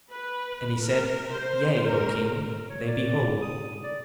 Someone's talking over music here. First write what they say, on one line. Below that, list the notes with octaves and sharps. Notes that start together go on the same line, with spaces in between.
And he said, Yea, O king, they be whole.
B4
A#4
C5
A#4
A4
C#5
D5
D#6
D5